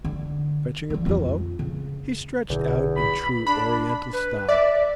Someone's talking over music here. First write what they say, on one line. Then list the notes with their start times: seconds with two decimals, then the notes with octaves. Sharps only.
Fetching a pillow, he stretched out in true oriental style.
0.05 D3
0.90 E3 G3
1.06 F2 F4
1.59 C#3
2.50 A#1 E2 B2 D3
2.98 B5
3.47 D4 B5
4.13 B4
4.49 D5 E5